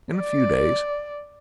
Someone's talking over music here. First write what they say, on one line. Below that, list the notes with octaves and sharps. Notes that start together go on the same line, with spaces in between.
In a few days.
D5